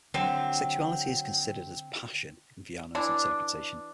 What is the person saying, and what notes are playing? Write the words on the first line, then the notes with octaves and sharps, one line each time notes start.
Sexuality is considered as passion in Viano's interpretation.
D3 F#3 C4
E3 D4